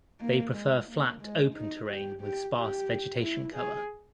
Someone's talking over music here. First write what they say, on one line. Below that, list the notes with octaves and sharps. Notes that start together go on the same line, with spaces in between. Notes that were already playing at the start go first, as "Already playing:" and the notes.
They prefer flat, open terrain, with sparse vegetation cover.
A#3
G#3
A#3
G#3
D#4
G4
G4
G4
E4
G#4